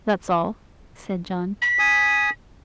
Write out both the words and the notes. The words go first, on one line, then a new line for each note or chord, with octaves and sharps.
"That's all," said John.
B6
G#5 D#6